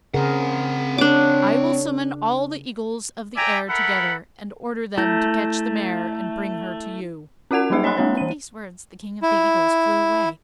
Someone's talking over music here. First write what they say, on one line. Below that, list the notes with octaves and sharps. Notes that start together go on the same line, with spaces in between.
I will summon all the eagles of the air together, and order them to catch the mare and bring her to you.' And with these words the King of the Eagles flew away.
C#3 C4 G#4 A#4 F#5
D4 C#5 D6
D5 E5 G5 G#5 A#5
E4 A4 A#4 F#5 B5
A3 E4 G6 A#6
C#4 F#4 A#4 F#5 G#6 F7
F#3 G3 A#3 D#4 G#4 E5
C#5 D#5 G#5 B5 C6 F#6
G#3 A#3 C4 D4 C#5
E3 D#7
E4